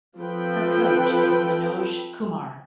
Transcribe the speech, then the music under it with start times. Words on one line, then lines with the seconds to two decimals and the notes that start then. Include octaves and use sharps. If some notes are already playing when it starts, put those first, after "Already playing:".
Her coach is Manoj Kumar.
0.17 F3 C4 A4 B4 G5